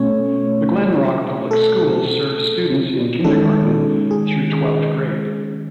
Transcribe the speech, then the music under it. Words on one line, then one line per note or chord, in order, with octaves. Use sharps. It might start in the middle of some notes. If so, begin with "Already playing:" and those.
The Glen Rock Public Schools serve students in kindergarten through twelfth grade.
Already playing: B2 A3 C#4 C#5
A4
D#3 G#3 C#4 A4
G#4